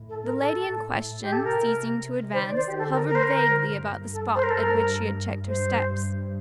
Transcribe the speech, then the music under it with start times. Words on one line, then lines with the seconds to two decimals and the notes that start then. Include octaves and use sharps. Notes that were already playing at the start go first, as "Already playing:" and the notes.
The lady in question, ceasing to advance, hovered vaguely about the spot at which she had checked her steps.
Already playing: A2
0.09 A4
0.24 A#4
0.39 A4
0.54 A2
1.22 G4
1.32 A4
1.43 C3 A#4
2.33 D#3 C5
2.44 D5
2.56 C5
2.67 G4
2.78 D3 A4
2.93 A#4
3.08 A#4
3.15 C5
3.23 D3 A#4
3.68 G2
4.13 A4
4.35 C5
4.43 A#4
4.50 A4
4.58 G2 A#4
5.47 G2 C5
5.93 G2